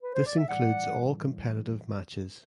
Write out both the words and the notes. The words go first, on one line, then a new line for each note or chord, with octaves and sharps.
This includes all competitive matches.
B4
C5
D5
E5
A2 E3 G3 D5 F#5